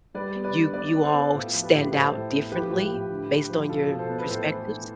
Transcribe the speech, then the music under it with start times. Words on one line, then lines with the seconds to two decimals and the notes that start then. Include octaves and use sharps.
you you all stand out differently based on your perspectives?
0.15 G3 B4 D5
0.35 B3
0.44 B4 D5
0.54 D3
0.74 B3 B4 D5
0.93 B3
1.03 A4 C5
1.14 B3
1.32 A2 F4 A4
1.52 F3
1.63 G4 B4
1.72 A2
1.92 A2 A4 C5
2.12 A2
2.32 B3
2.52 F3 G4 B4
2.70 A2
2.91 A2
3.10 D3
3.30 D3
3.50 F3
3.69 B2 F4 A4
3.89 B2
3.98 A4 C5
4.09 B3
4.18 B4
4.28 A2 A4 C5
4.48 E3
4.68 E3